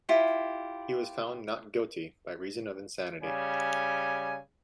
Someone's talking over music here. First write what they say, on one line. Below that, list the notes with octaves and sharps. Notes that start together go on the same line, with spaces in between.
He was found not guilty by reason of insanity.
E4 F4 G4
C#3 G3 G#5